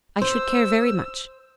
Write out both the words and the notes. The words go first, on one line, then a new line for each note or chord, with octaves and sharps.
I should care very much.
C5 E6